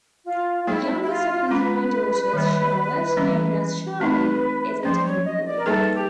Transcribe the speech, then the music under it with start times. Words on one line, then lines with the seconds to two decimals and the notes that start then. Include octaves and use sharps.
The youngest of her three daughters, Charlotte, known as "Charlie", is a tomboy.
0.26 F4
0.63 F4
0.67 F#3 A#3 D#4 E4 G#4 C5
1.02 E4
1.09 F4
1.47 C5
1.51 G#3 C#4 F4 B4
2.33 D#3 G3 A#3
3.17 E3 G3 A#3 C#4 E4
4.00 A3 C4 D#4 B4
4.83 F3 A#3 C#4 C5
5.04 C#5
5.25 D#5
5.46 D5
5.57 A#4
5.66 G3 A#3 D#4 G#4 A4 B4
5.95 G4